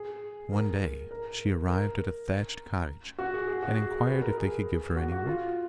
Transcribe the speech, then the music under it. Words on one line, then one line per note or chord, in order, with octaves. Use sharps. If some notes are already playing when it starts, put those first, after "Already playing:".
One day she arrived at a thatched cottage, and inquired if they could give her any work.
Already playing: G#4
A#4
A#4
A#4
F#4
G#4
G#4
F#4
G#4
B4
A#4
G#4
F#4
F#4
F4